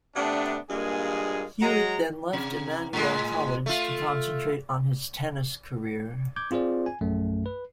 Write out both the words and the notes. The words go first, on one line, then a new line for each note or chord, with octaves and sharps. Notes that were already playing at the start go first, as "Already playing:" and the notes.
Hewitt then left Immanuel College to concentrate on his tennis career.
C3 A3 B3 D4
G2 A#2 G#3 A#3 G#4
F#3 G#3 A#5
C3
A2 G#3
A3 F4
D6 G6 G#6
C4 F4 G#4 C5 D5
G#5
A#1 F#2 A3
B4